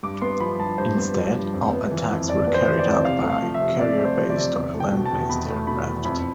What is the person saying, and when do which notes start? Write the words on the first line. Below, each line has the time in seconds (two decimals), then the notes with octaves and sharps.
Instead, all attacks were carried out by carrier-based or land-based aircraft.
0.03 G2 D6
0.22 B3 C6
0.40 F3 B5
0.59 G2 A5
0.78 G2 C5
0.97 B3
1.15 F3
1.34 G2
1.54 F2
1.73 B3
1.91 E3
2.10 F2
2.28 F2 D5
2.47 B3
2.54 C5
2.67 E3
2.79 D5
2.86 F2
3.05 C3 F5
3.23 A3
3.30 F5
3.42 F3
3.54 E5
3.61 C3
3.79 C3 D5
3.99 A3
4.05 C5
4.17 F3
4.30 D5
4.36 C3
4.55 E2
4.74 A3
4.80 G5
4.92 B2
5.06 A5
5.12 E2
5.30 E2 B5
5.49 A3
5.67 B2 B5
5.86 E2
6.05 F2 B5